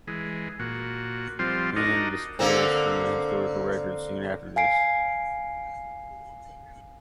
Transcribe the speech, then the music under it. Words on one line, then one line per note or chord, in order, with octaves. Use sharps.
Menen disappears from the historical record soon after this.
E3 G#3
A#2 F#4
F3 G3 C4 F4
D4 D#4 F#4 A#4 D#5
D3 A#3 C4
F5 G#5 C7 D7